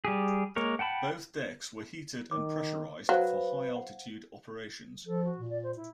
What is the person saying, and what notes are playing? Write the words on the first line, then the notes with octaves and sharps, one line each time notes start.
Both decks were heated and pressurized for high altitude operations.
G3 G4 G#4
G#3 A#3 A#4 C#5
F#5 G5 A5 B5
D#3 D6
F#3 B4 C5 F5
F#5
F3 A4
F#4
A#2
D5
C5
E4